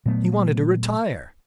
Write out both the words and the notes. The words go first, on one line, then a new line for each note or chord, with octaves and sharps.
He wanted to retire.
A#2 F#3 A3 B3